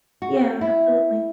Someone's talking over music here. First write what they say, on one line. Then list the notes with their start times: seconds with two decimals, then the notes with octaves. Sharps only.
Yeah, absolutely.
0.22 F#4
0.61 E4